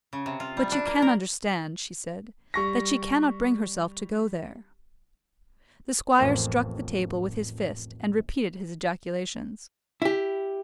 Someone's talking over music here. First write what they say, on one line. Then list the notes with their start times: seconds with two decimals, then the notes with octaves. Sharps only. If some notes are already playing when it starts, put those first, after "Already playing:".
"But you can understand," she said, "that she cannot bring herself to go there." The squire struck the table with his fist, and repeated his ejaculations.
0.13 C#3
0.26 C3
0.40 F4
0.57 G3
0.72 D4
0.86 A#3
1.02 A#4
2.54 G3 C#6 A#6
6.19 A1 F2 A#3 C5
10.02 E4 G4